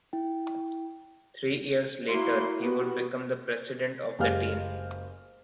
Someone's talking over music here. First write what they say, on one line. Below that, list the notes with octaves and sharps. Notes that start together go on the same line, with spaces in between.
Three years later he would become the president of the team.
E4 G5
A#3 E4 F#4 C6
B3 F#4 G4
F#1 G#3 G4 F5 F6